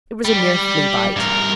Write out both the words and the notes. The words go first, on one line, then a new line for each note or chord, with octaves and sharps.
It was a mere flea-bite.
G3
G2 A#4